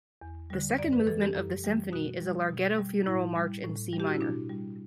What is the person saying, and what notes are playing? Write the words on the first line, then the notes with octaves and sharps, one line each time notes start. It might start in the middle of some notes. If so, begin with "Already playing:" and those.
The second movement of the Symphony is a "Larghetto" funeral march in C minor.
E2
D3 G3
F#2 D5
B4
E3 G3 A4
G4
F#2
E3 G3
B2 F#4
G3
B2
G3
A2 E4
G3
A2
G3
G4
F#4
E4
B2 D4
G3